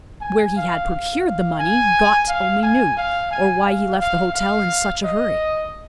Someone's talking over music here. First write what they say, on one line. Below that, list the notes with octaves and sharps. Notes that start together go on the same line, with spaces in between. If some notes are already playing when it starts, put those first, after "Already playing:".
Where he had procured the money "Gott" only knew, or why he left the hotel in such a hurry.
G#5
F5
F5
F5
G#5
F5
G#5
F5
G#5
F5
F5
F5
D#5